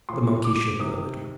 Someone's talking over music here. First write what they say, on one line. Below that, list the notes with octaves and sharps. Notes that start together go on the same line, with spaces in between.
The monkey shivered a little.
A#2 F3 C6
D6
C3 D#3 D#6